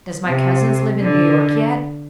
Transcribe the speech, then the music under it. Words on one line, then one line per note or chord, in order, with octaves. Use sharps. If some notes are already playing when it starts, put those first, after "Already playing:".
Does my cousins live in New York yet?
C3
D3